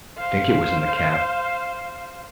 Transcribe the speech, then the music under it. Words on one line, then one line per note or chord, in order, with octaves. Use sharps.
I think it was in the cap.
C5 F5